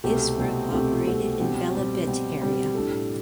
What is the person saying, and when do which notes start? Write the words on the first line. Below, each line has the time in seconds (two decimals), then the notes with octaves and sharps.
His group operated in Velebit area.
0.04 C2 B2 A3 C4 G4
0.38 C2 B2 A3 C4 G4
0.72 C2 B2 A3 C4 G4
1.05 C2 B2 A3 C4 G4
1.40 B2 G3 C4 G4
1.74 B2 G3 C4 G4
2.07 B2 G3 C4 G4
2.41 B2 G3 C4 G4
2.75 A2 G3 D4 A4